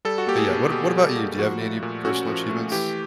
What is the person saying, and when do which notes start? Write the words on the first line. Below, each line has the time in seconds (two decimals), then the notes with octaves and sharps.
but yeah. What what about you? Do you have any any personal achievements?
0.05 G3 A4
0.18 F#4
0.27 A#3 G4
0.38 G#4
0.50 B2
0.72 B2 G4
0.94 G3
1.16 A#3
1.38 F3 F#4
1.60 A3
1.82 A#2
2.05 C#4 F#4
2.27 F3
2.50 A3
2.72 E3 G4